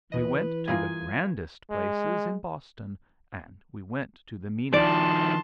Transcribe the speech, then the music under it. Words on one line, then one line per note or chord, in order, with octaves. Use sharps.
We went to the grandest places in Boston, and we went to the meanest.
D#2 B2 E3 B4 D#5
G2 G3 A#3 E4 F4 G#4 G#5
G#3
D#3 F3 D5 A5 C6